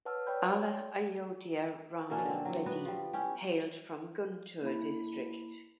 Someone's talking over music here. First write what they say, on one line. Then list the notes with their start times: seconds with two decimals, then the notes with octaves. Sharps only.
Alla Ayodhya Rami Reddy hailed from Guntur district.
0.05 B4 C#5 F#5 A5 E6 F6
0.27 C#5 D5 G5 B5 G6
2.10 B2 A#3 C#4 D4
2.25 D3 C4
2.45 F#3
2.66 B3 F#4 B4
2.86 F3 G3
3.13 C#4 E4 G4
4.62 A#3 E4 B5